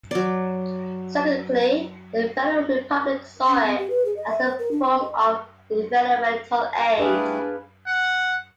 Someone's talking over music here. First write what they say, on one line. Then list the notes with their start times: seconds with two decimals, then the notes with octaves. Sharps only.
Secondly, the Federal Republic saw it as a form of developmental aid.
0.11 F#3 D5
3.47 C#4
3.63 C4
3.78 G4
3.90 B4
4.05 G#4
4.17 D#5
4.29 E5
4.44 C5
4.59 A#4
4.71 D4
4.85 C4
5.00 D#5
6.98 G3 A3 D4 E4 G#4 B4 F5
7.87 F#5